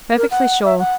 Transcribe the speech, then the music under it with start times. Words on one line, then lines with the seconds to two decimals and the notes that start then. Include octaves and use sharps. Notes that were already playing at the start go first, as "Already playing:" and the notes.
"Perfectly sure."
0.18 A#4
0.31 F#5
0.65 E5
0.79 F#5